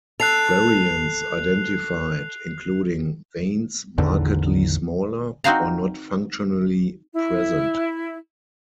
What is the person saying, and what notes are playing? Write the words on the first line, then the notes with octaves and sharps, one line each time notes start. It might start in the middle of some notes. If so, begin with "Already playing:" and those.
Variants identified including veins markedly smaller, or not functionally present.
A4 F#6 C7 F7
A1 E2 D3 D#3
C4 D#4 F#4 C5 F5 A#5
E4